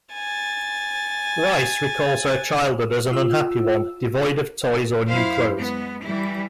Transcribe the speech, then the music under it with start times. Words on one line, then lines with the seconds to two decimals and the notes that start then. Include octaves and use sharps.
Reis recalls her childhood as an unhappy one devoid of toys or new clothes.
0.13 G#5 A6
3.11 F4 E6
5.09 F#2 E4 C5 F5
5.56 G#3 B3
6.04 E3 G3 E4